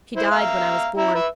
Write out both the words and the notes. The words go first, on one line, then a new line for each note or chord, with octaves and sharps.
She died when I was born.
E4 C5
E5 F5 A#5
E4 E5 A#5
B4 E5